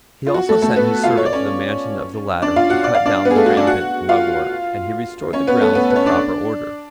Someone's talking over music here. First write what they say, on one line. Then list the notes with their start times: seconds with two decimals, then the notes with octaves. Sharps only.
He also sent his servant to the mansion of the latter to cut down the rampant mugwort, and he restored the grounds to proper order.
0.27 F4
0.34 F#4
0.49 A3 A4
0.62 A3 A4
0.76 B3 B4
1.04 F4 F5
1.17 C#5
1.26 D5
1.33 C#4 C#5
2.42 D4 D5
2.56 F4 F5
2.70 F#4 F#5
2.84 D5
2.95 F5
3.06 D4 D5
3.25 B3 B4
3.31 G#4
3.36 A3 A4
3.46 F#4
3.57 D4 D5
3.67 F#4 F#5
4.09 F4 F5
5.33 C#4 C#5
5.47 B3 B4
5.61 A3 A4
5.75 B3 B4
5.91 B4
5.96 C#4 C#5
6.06 D4 D5